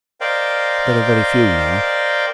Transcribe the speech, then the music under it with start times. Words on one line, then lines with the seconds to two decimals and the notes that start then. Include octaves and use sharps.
There are very few now.
0.21 A#4 C5 D5 D#5 F5 G5